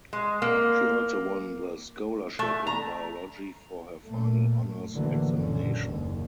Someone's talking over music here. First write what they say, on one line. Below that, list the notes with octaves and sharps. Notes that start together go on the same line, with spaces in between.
She also won the scholarship in biology for her final honours examination.
G#3
A#3
A3
A#5
A#2 A3
F#2
A#1 A2 D3 E3 F#3 A#3
F#1 A#2 D3 C#4
F#1 D#2